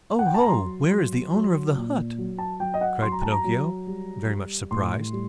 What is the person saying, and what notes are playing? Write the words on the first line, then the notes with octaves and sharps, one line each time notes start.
"Oh--ho, where is the owner of the hut?" cried Pinocchio, very much surprised.
F#5
G5
A5
A#5
F#3 C6
F#3
F#3
A#2
F#3
A5
F#3 G5
D#5
F#5
F#3 C6
A#5
A5
A#5
F#3
G3
G3
A2 C6
G3